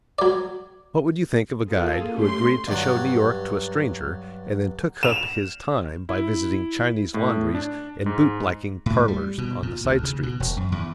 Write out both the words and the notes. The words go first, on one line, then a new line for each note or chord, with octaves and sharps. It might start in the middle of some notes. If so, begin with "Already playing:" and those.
What would you think of a guide who agreed to show New York to a stranger and then took up his time by visiting Chinese laundries and boot-blacking "parlors" on the side streets?
F#3 D5
A#3 F4 G#4 A4
A3 C#4 G4 C6
G2 F#3
E7 F7
E4
A2
D4
G#2
A2
G3
B2
A#2
D2
C#3
B2
E1
F#2
E2